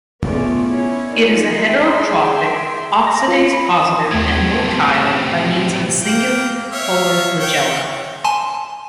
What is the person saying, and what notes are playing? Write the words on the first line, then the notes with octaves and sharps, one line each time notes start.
It is heterotrophic, oxidase-positive, and motile by means of a single polar flagella.
A3 B3 C#4 F4 G#4 D5
C#4 E4 C#5
D#4 F4 A#4 D5
G#4 E5 G5 C6
A#6
F4
B5
D#6
D#2 A2 C3 A3 G#6
A5
A#3 G5
C#5 E5 F5
C#5 G5
G#5 A5 C6